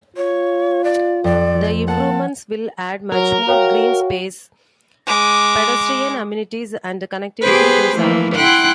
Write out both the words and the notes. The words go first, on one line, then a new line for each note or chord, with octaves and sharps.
The improvements will add much more green space, pedestrian amenities and connectivity to surroundings.
F4 C#5
D5
F2 D5
A#3 F#5 A5
F#3 A#4
F#4 C#5 F5 G5
G#3 D6
B3 G4 G#4 B4 C5
E3 F3 A3 A#3
E4 F#5 G5 C6 F#6